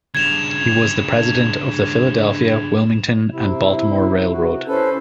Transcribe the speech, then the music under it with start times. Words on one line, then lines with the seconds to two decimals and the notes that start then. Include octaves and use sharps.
He was the President of the Philadelphia, Wilmington and Baltimore Railroad.
0.15 G2 C#3 G#6 E7 F7
3.30 C3 E4
4.32 F#4
4.67 C#4 E4 A4 B4 C5